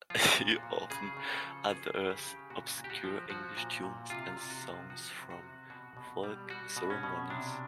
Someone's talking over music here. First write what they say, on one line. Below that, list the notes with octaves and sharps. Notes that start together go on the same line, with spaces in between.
He often unearths obscure English tunes and songs from folk ceremonies.
F3 F4
A#2
F#4
A#2
C#3 G#4
C#3
A4
F3
F3 G#4
C#3
G4
C#3
A#2 F#4
A#2
G4
F#4
F3
F3 F#4
A#2
A#2
C3 F4
C3
F#4
F3
F3 F#4
C3
F#4
C3
B2 F#4
B2
G3
G3 F#4
B2
C#4
B2
C3 D4